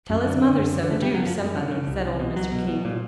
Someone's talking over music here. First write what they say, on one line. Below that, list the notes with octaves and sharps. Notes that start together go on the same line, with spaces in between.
"Tell his mother so, do, somebody," said old Mr. King.
F#2
D3
D3
F#2
D3
C#3 A3
G3
C#3
F#3
F#2 F3
F#2
C#3
C#3
C2
C2
B2
C2 F#3
B2
B2
A#2